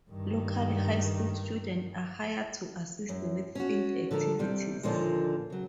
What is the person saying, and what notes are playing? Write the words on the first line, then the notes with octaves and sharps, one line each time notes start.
Local high school students are hired to assist with field activities.
G2 D#3
F#2
C#4 F#4
D3 F3 A4 A#4
C3 G3
D#2 A#2 D3 F3 A#3 D4
C#3 F#3